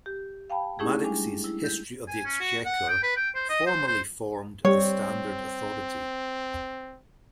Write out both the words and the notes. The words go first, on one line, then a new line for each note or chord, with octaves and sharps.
Madox's "History of the Exchequer" formerly formed the standard authority.
G4
F5 G5 A5 B5
A3 C#4 D#4 E4 G4 G#4
G3 G#3 D4 G#5
E4
G6
G#5
C#4
F#4
F#5
G5
B4
G5
C5
D#5
C5
C5
G3 C4 C#5